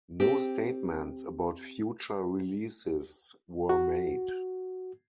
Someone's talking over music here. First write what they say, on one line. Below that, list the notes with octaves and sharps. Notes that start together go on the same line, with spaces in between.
No statements about future releases were made.
C4 G4
F#4